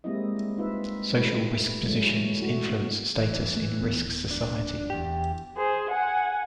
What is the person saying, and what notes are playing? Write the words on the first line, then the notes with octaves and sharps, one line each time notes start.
Social risk positions influence status in risk society.
G3 G#3 A#3 C4 E4 D#5
D#4 F4 B4 E5
G3 A3 D#4 B4
E3 F#3 G#3 A3 C#4
A3 E4 F#4
E3
A3
D1 B3
D4
E2 G4
G#4 C5
F#5 G#5